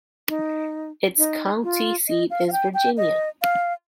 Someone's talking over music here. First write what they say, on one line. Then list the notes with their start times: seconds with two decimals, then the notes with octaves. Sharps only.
Its county seat is Virginia.
0.29 D#4
1.18 D#4
1.63 F4
2.08 D#5
2.30 F5
2.48 F5
2.52 G5
2.74 G5
2.97 D#5
3.42 F5